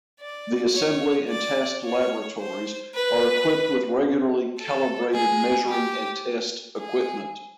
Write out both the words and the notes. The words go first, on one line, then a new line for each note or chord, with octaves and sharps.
The assembly and test laboratories are equipped with regularly calibrated measuring and test equipment.
D5
C#5
D5
C#5
C5
B4
A4
G#4
G4
G#4